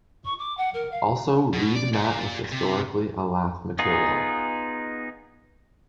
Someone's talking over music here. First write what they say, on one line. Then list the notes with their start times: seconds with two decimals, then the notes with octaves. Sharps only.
Also reed mat was historically a lath material.
0.25 C#6
0.39 D6
0.57 F#5
0.74 A#4
0.92 F5
1.53 B2
1.75 D5
1.94 A#2
2.52 C3
3.79 B3 D#4 F4 G#4